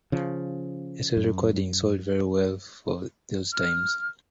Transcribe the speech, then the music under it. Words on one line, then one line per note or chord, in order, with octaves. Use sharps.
Ace's recordings sold very well for those times.
C#3 F3
F#2
F6